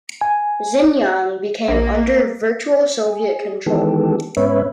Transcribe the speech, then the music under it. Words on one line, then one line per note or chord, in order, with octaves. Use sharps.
Xinjiang became under virtual Soviet control.
G#5
A#1 A#3
G#4
D#3 E3 G#3 B3 G4 A4
G#2 B3 C#4 B4 C#5 E5